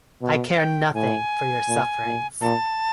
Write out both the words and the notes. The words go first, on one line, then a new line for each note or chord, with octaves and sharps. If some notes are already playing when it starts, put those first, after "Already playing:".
I care nothing for your sufferings.
B2
G5
A2 G#5
A#2
A#2
A#2 A5